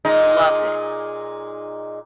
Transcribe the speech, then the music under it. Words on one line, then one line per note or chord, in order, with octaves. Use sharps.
Love it.
A#2 G#3 D#4